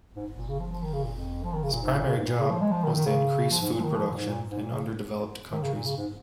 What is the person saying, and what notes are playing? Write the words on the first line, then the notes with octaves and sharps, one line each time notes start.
His primary job was to increase food production in underdeveloped countries.
G#2
A#2
C#3
F3
F3
D#3
C#3
A#2
F2
F3
D#3
C#3
A#2
G#2
A#2
C#3
G#2
A#2
C#3
F3
G#3
F3
D#3
D#3
C#3
F3
G#2
A#2
F3
D#3
F3
F3
A#2
G#2
A#2
G#2
A#2
C#3
D#3
C#3
A#2
C#3
G#2